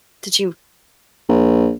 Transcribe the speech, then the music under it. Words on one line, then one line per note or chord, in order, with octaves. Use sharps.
Did you
A#1